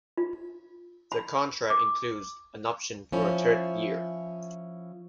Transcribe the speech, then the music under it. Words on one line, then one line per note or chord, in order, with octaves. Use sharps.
The contract includes an option for a third year.
F4
B5
D6
F3 C#4 E4